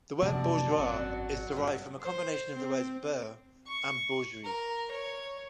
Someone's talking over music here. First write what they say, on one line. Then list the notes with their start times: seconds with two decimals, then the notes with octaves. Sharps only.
The word "beurgeois" is derived from a combination of the words "beur" and "bourgeois".
0.22 F#2 C3 F3 A#3 D4 D5 A5
0.79 G#1 F#3 C4
1.56 G2 C#3 C#5
2.01 C5
2.53 C4
3.66 C#6
4.44 A#4
4.91 C#5